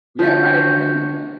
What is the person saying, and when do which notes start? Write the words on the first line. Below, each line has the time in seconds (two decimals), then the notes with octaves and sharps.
Yeah, right at your home, like
0.19 D3 F3 C#4 F#4 G6